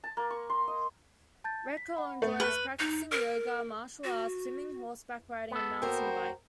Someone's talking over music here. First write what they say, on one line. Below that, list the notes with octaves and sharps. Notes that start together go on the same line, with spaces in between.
Reckell enjoys practicing yoga, martial arts, swimming, horseback riding and mountain biking.
A5
A#3
C#6
C6
D#5
A5 G6 A6
B6
F#5 B5
A3
B4 F6 G7
D#4
A#4
F#4
B3 A4
D#2 C#3 F#4 A#4 C5 G5